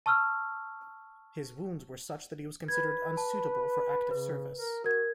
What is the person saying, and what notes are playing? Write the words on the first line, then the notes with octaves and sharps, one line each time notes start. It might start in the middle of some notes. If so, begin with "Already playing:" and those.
His wounds were such that he was considered unsuitable for active service.
A5 C#6 E6 F6
B4 G#6
A5
C#3 B4
A#4
F#4 A#4 G#6